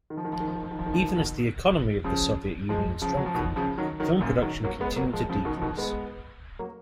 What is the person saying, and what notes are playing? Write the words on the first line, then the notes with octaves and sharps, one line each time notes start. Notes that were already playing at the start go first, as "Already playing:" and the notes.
Even as the economy of the Soviet Union strengthened, film production continued to decrease.
D#3
F3
D#3
F3
D#3
F3
D#3
F3
D#3
F3
D#3
F3
D#3
F3
B2 D#3
C#3 F3
F3 G#3
C#3 F3
F#3
F3
B2 D#3
C#3 F3
D#3 F#3
D#3 F#3
F#2 A#2
D#3 F#3
F#3 A#3
G#3 B3
F#3 A#3
F3 G#3
C#3 F3
B2 D#3
F3
B2 D#3
G#3 B3
F#3 A#3